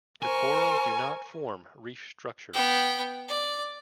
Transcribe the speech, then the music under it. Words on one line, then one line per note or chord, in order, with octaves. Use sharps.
The corals do not form reef structures.
A#4 C5 G#5 C#6
B3 G5
D5